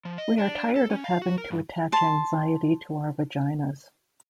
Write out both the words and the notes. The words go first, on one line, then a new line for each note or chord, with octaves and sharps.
We are tired of having to attach anxiety to our vaginas.
F3
D#5
D4
A4
C#4
F5
F#4
A#4
G2
A5 C6